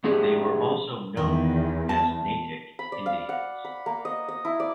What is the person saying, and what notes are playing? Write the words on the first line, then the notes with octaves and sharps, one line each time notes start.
They were also known as Natick Indians.
F2 A2 D4 G4 G#4
E2 D#3
A5
B5
D5
F5
F#5
B5
A#3
D#5
D#5
E4
D5